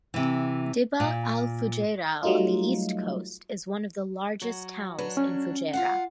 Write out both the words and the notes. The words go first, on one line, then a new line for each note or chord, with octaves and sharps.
Dibba Al-Fujairah on the east coast is one of the largest towns in Fujairah.
C3 E3
A#2
F#3 G3 A3 D#4 F4
F#3
F#3 D4 B4
C#4
F4 F5 F#5